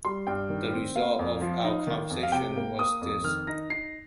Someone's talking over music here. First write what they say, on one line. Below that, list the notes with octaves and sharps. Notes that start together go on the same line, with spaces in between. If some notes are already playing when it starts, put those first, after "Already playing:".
The result of our conversation was this.
G3 C6
G2 G5
D#3
C4
A#3 F5
F2
F3
D#4
D#3
F2
F5
C3 G5
A#3
A#3 D#6
F2
D#3 F6
D#4 A#6
D#4 C7